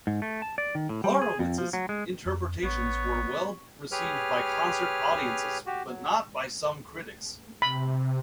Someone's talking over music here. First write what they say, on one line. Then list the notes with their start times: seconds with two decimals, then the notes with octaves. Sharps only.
Horowitz's interpretations were well received by concert audiences, but not by some critics.
0.07 G#2
0.22 A3
0.42 A5
0.58 D5
0.75 D#3
0.89 A2
1.04 G3
1.22 G#4
1.39 F2
1.58 F3
1.73 F#3
1.89 G#3
2.26 F2
2.63 A1 B3 C#5
3.92 G4 G#4 B4 C#5 F6
5.66 F#4 G4
5.87 F#3
7.62 C3 B5